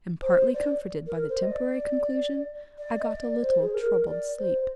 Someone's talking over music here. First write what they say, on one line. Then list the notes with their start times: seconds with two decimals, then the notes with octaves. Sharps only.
And partly comforted by the temporary conclusion, I got a little troubled sleep.
0.22 C5
0.53 D5
1.06 A#4
1.28 C5
1.41 D#5
1.50 D5
2.78 D5
2.99 D#5
3.09 D5
3.41 C5
3.61 G#4
3.74 A#4
4.06 D5
4.38 C5